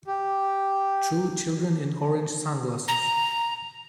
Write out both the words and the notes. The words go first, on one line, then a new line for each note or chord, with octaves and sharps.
Two children in orange sunglasses.
G4
A#5